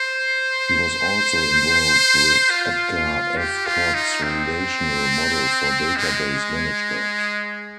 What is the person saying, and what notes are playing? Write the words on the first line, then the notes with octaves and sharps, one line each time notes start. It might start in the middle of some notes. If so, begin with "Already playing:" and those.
He was also involved with Edgar F. Codd's relational model for database management.
Already playing: C5
F4
G4
F4
D#4
C4
G#3